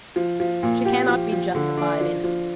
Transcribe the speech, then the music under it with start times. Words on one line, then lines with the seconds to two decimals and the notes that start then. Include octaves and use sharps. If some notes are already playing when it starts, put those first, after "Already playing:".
She cannot be justified in it.
0.16 F3
0.40 F3
0.63 A#2
0.85 G4
1.08 F3
1.32 F3
1.55 D3
1.77 D4
2.01 F3
2.24 F3